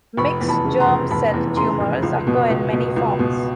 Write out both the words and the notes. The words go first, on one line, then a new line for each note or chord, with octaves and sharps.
Mixed germ cell tumors occur in many forms.
F1 B5 C#6
E2
A5 B5
C#3
A#5 C6
F1
F1 A5 B5
E2
C#3 A#5 C6
F1
C#2
B2
C#2
B2
C#2
B2